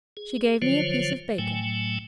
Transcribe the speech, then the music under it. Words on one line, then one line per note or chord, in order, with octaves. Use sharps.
'She gave me a piece of bacon.'
G#4
D3 F3 F#3 F4 C5 C#5
A2 F#3 A3 G5 G#5